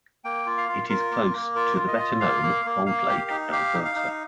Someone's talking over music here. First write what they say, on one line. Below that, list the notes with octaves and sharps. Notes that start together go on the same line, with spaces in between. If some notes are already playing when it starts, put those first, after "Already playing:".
It is close to the better known Cold Lake, Alberta.
A#3 G5
F4
F5
F4
F4 A#4
A#3
A#3
F4 A#4
F4
D#5
F4
A#3 F5
A#3
A#3
A#3 F5
G4
D#4
G4 F5
D#4
F5
D#4